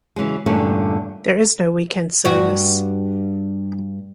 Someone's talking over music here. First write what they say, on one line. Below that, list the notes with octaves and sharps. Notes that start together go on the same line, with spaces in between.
There is no weekend service.
C#3 E3 F#3 G#3
E2 G2 A#2 D3 A3 C#4
G2 F#4